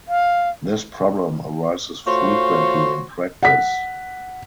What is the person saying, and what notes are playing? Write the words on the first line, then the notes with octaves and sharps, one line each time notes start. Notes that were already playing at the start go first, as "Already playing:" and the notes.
This problem arises frequently in practice.
F5
A3 F4 F#4 C5 C#5
F#5 B6